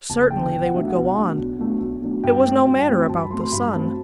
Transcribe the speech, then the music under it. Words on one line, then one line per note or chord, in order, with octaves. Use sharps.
Certainly they would go on. It was no matter about the sun.
F#1 A5
E2 D3 G5
B1 G5
F#5
B2 F#3 A3 D4 E5
F#5
B1
B2 F#3 A3 D4
B1
B2 F#3 A3 D4
B1
B2 F#3 A3 D4
G2 G5
F#3 A3 C4
G2
F#3 A3 C4
G2 A5
B5
F#3 A3 C4 C6
C6
G2 B5
F#3 A3 C4 A5